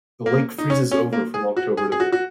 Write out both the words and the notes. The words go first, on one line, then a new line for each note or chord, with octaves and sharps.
The lake freezes over from October to May.
A#3
D#4
C#4
C#4
A#3
G#4
F#4
G#4
G#4
F#4
F#4